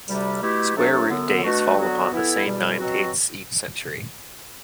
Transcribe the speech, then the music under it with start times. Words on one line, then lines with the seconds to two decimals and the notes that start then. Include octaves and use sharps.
Square Root Days fall upon the same nine dates each century.
0.08 D2 C3 G3
0.42 B2 A3 E4 G4
0.76 C3 F#3 A3 D4 A4
1.10 F#2 D3 F#3 B3
1.44 B2 A3 D4 F#4
1.78 D3 F#3 B3 F#4
2.11 E3 B3 E4 A4
2.44 E2 B2 G3
2.79 B2 F#3 C4 F#4